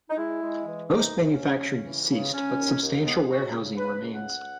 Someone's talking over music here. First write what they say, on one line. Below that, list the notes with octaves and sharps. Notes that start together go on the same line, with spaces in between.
Most manufacturing has ceased, but substantial warehousing remains.
D#4
G#3 E4
G#3
E3
D#2 D#4
C#3
C#4
D#2
C#3
E3
C#3
C#3 C#4
D#2
D#2
G#3 B3
C#3 F#4
C#3
C#3 B4
C#2
F#5
C#2